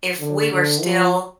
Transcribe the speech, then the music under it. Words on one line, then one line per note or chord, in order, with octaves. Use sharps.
if we were still
D3
D3
F3